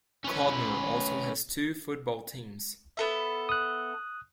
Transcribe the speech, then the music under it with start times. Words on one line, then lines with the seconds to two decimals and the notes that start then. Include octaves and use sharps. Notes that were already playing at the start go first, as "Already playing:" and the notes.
Codnor also has two football teams.
0.24 C#4 B4
2.97 B3 A4 E5
3.49 D#6 F#6